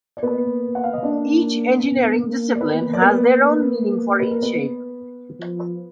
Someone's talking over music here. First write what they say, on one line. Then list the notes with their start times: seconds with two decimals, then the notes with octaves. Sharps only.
Each engineering discipline has their own meaning for each shape.
0.17 D5
0.22 A#3 B3 B4
0.75 F#5
0.84 F5
0.93 D#5
1.03 A#3 D4 D5
1.81 B3
2.22 A#3
2.56 D5
2.61 A#3 B3 B4
2.93 D5
3.01 B3 B4
4.20 B4
4.31 A#4
4.42 B3 B4
5.39 F3